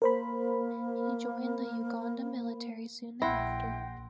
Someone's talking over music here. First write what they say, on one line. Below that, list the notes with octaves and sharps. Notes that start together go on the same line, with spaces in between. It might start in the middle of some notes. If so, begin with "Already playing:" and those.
He joined the Uganda Military soon thereafter.
A#3 A#4 C5 B5
A#1 E4 F#5 G5 C6 A#6